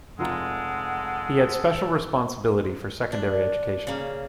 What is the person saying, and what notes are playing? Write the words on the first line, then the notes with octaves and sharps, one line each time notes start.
He had special responsibility for secondary education.
F1 G#3 F4 A4 F#5 A#5
D4
C#3 A#3